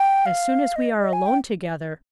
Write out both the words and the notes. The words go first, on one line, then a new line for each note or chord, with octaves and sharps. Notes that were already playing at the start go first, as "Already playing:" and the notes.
As soon as we are alone together.
Already playing: G5
F5
D#5
D#5
G#5
G5